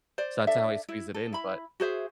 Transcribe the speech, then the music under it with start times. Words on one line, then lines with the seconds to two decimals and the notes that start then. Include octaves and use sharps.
so, that's how I squeeze it in, but
0.18 C5 D5
0.47 D4 A4 E5
0.89 E4
1.14 A4
1.33 E4 B5
1.80 F#4 G#4 C5 E5